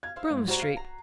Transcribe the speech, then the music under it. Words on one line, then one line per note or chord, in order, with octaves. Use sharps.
Groome Street.
F5 G#6
E4 C5 F5
G#2
G3 F#4 C5 A#5
F5 G5 C7
F#4 A#5